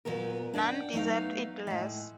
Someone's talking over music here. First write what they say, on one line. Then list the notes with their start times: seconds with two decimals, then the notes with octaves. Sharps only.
None deserved it less.
0.05 A#2 F#3 B3 A#4
0.54 D4 D5 E5 F#5 G5
0.93 F#3 A3 B3 D#4 F5
1.67 A2 G#3